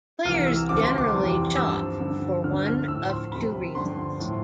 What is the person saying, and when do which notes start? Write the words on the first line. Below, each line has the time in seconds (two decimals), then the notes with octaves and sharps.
Players generally chop for one of two reasons.
0.25 C2 C3 E3 F6
0.47 E6
0.69 D2 C3 F3 D6
0.83 C6
0.98 D6
1.13 F2 C3 E3 G3
1.56 G2 F3 E6
2.00 G2 D3 F3
2.44 D2 D3 F3 F6
2.66 F6
2.88 A2 F3 E6
3.09 C6
3.32 D2 C3 F3 B5
3.75 G2 D3 F3 C6
4.20 A2 F3